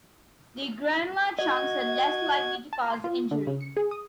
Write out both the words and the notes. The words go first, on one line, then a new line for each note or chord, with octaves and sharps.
The granular chunks are less likely to cause injury.
F#4 D#5 G#6
A5
C6
F4
D3
C#3
C#7
G#4
D#6